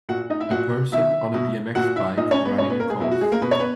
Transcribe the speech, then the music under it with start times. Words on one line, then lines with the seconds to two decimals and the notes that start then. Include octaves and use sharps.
A person on a bmx bike, running a course.
0.09 A#2 F#4 F#5
0.30 D#4 D#5
0.40 E4 E5
0.50 A#2 F#4 F#5
0.92 B2 E4 E5
1.34 B2
1.75 A#2 F#4 F#5
1.96 E4 E5
2.17 A#2 D#4 D#5
2.31 C#4 C#5
2.45 B3 B4
2.58 B2 C#4 C#5
2.69 B3 B4
2.80 A#3 A#4
2.90 G#3 G#4
3.00 B2 E4
3.12 F#4
3.21 G#3 G#4
3.32 A#3 A#4
3.42 B2 B4
3.51 C#5
3.59 B3 B4